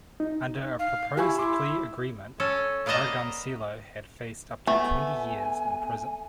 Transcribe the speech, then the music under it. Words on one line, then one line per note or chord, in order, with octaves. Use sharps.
Under a proposed plea agreement, Aragoncillo had faced up to twenty years in prison.
D#4
F5
E4 G4 G#5 C#6
E4 C6 D6
C#4 A4
A#3 B3 D5 D#5 A5 A#5
A3 B3 G#5